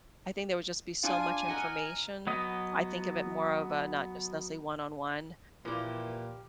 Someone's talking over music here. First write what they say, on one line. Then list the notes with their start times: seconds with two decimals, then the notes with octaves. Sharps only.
I think there would just be so much information. I think of it more of a not just one on one,
1.04 D4 F4 G#5
1.48 A#4 D#5 F#5
2.27 F#3 B3 D#5
5.65 A#2 E3 F3 G4